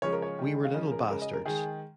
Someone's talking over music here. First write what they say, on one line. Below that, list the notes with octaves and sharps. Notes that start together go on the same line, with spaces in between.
We were little bastards.
C#3 F3 G#3 C#5
A#4
C#5
D#3 G#3
F5
C#3 F3 G#3 D#5
A#4
C#3 G#3 A#4
D#5
A#4
D#3 G#3 G#4